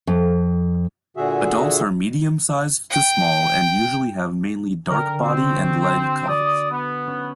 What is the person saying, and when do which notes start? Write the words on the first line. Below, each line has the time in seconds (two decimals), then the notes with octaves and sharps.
Adults are medium-sized to small and usually have mainly dark body and leg colours.
0.07 F2
1.17 A#2 D3 F#4 G#4 E5
2.90 G5
4.90 D3 A#4 G5
5.22 C4 F#4
6.28 D5 D#6
6.71 B3
7.07 C#4 D#6